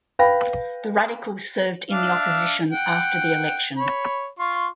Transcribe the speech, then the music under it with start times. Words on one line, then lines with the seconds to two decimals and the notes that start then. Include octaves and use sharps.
The Radicals served in opposition after the election.
0.19 B4 F5 G5 B5 A#6
1.91 D4 E5 F5
2.72 F#5 G5
3.77 C#5 B5
4.39 F4 C6 C#6